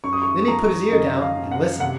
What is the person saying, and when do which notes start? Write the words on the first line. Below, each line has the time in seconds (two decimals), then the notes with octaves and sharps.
Then he put his ear down and listened.
0.04 F#2 C#6
0.13 D#6
0.22 C#6
0.48 F3 A#5
0.92 F#2 D#5
1.22 F5
1.36 F#2
1.51 F#5
1.80 C3 F#5